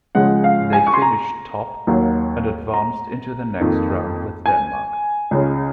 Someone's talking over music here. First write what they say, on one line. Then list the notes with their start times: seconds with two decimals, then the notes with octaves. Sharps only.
They finished top and advanced into the next round with Denmark.
0.15 C#2 C#3 F3 G#3 F#5
0.44 F5
0.73 G#5
0.87 C#6
0.94 C6
1.02 A#5
1.87 D#2 D#3 F#3 A#3
2.74 A#5
3.60 F2 D#3 A#3
4.46 G#5
5.31 C#2 C#3 G#3